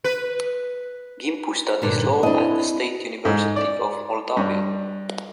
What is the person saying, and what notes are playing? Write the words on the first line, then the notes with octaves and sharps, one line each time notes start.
Ghimpu studies law at the State University of Moldavia.
B4
G2 A#2 D3 B4
C4 D4 E4 D#5
G#2
D5
G2